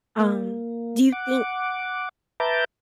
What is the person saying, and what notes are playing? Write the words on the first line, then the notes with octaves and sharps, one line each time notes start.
Um, do you think
A#3
F#5 D6
B4 E5 A5 A#5 D6 G6